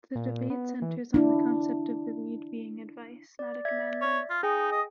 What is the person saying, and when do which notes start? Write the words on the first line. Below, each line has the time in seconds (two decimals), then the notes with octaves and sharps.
The debate centres on the concept of the Rede being advice, not a commandment.
0.15 A#2
0.50 B3
0.82 E3
1.14 D4 E4
3.39 D5
3.65 D5 E5 G#6
4.01 C#5
4.30 F4
4.43 D#4 G#4 G5 G#5
4.72 D#5